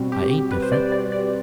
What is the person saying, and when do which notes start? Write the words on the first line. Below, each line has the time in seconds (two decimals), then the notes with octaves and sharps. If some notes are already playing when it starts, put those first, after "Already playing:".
I ain't different.
Already playing: B2 G3 C4 F#4
0.12 G4
0.51 B4
0.62 C5
0.72 D5
0.92 D5
1.12 D5